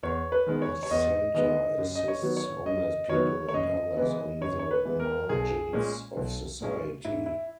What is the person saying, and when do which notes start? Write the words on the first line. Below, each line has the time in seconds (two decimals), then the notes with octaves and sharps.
The centre assists homeless people and others on the margins of society.
0.03 E2 C#5
0.32 B4
0.47 D#3 G#3 B3
0.62 C#5
0.83 C#5
0.91 E2 D#5
1.34 D#3 G#3 B3 D#5
1.79 F#2
1.95 D#5
2.08 C#5
2.22 D#3 F#3 B3
2.37 C#5
2.65 F#2 D#5
3.09 D#3 F#3 B3 C#5
3.49 C#5
3.54 F#2 D#5
3.97 E3 G#3 B3
4.41 F#2 C#5
4.59 C#5
4.71 B4
4.85 E3 G#3 B3
5.00 A#4
5.29 B1 G#4
5.73 A#2 G#3 C#4
6.17 B1
6.61 A#2 G#3 C#4
7.05 G#2 E4
7.26 E4